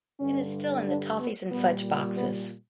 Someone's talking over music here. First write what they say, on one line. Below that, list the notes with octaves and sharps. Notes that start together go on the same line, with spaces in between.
It is still in the Toffees and Fudge boxes.
G2 D3 G3 C#4
D4
B3
A#2 G3 B3
B3